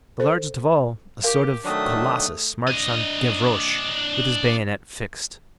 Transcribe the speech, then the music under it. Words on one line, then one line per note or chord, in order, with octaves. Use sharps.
The largest of all, a sort of colossus, marched on Gavroche with his bayonet fixed.
A4 C5
G4 A#4 F5
D#3 F#3 A3 D4 D#6
D4 D#5